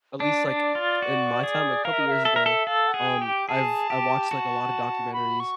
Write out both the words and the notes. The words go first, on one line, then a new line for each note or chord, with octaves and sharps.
at least, like, in my time, a couple years ago, um, I've I watched, like, a lotta documentaries
D4 D5
D4
F4
F#4
G#4
A#4 F5
E5
D#5
F5
E5
A4
A#4
A4
A4 F5
F#5
G#4
G5
G4
G#4 A5
G4
F#4
B5
C#6